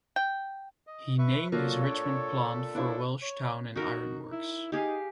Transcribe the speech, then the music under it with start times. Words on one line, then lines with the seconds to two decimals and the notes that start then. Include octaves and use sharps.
He named his Richmond plant for a Welsh town and iron works.
0.16 G5
0.87 D#5
1.19 B4 E5 C#6
1.52 A#2 F#3 A#3 F4 A4 C#5
1.86 D4
2.75 F3 D4 E4 C#5
3.22 C#5
3.76 D#4 F#4 A#4
4.32 E4
4.72 D#4 G4 G#4 F5